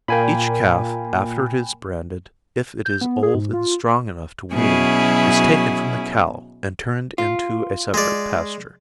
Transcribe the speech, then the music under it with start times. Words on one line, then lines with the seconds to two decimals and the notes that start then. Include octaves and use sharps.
Each calf after it is branded, if it is old and strong enough to wean, is taken from the cow and turned into a separate pasture.
0.08 A#2 A#3 G5 G#5 B5
2.85 G6
3.01 B3
3.23 G#4
3.35 G#2
3.53 F4
4.52 B2 F#3 C#4 E4 G#4
7.18 F4
7.94 G#3 D5